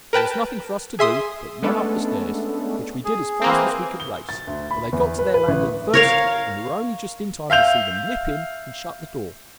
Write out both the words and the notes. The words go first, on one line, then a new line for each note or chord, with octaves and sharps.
There was nothing for us to do but run up the stairs, which we did as fast as we could race; but they got to their landing first, and we were only just in time to see them nip in and shut the door.
A#4 B4 G5 A5
G#4 E5 C6 D#6
G#3 A3 B3 C#4 D4 A4
G#4
E3 A#3 C4
G7
A6
D2
B5
E2
B4
B4
A1
A#4 C#5 F5
E5 F5 G6 F7